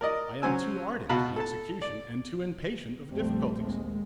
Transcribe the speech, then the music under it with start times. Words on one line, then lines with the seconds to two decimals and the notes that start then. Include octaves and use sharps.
I am too ardent in execution and too impatient of difficulties.
0.01 A#4 D5 D#5
0.42 F#3 C#4 C5 G#5 E6
1.09 B2 F#4 F5 A5 B5
1.36 A4 A5
1.82 D5
3.10 A#1 F2 G3 A3 C4
3.61 D#2 G#3